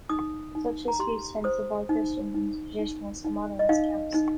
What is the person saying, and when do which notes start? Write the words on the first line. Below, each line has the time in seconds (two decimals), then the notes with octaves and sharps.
Such disputes tend to divide Christians into traditionalist and modernist camps.
0.09 D#4 D#6
0.55 D#4
0.88 A#5
0.99 G4 C6
1.44 C5 D#6
1.89 D#4
2.34 D#4
2.79 D#4
3.24 D#4
3.59 D#5
3.69 D#4 F5
4.14 D#4